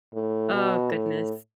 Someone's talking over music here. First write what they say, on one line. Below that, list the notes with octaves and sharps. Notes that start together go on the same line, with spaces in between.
Oh, goodness.
A2
B2
A2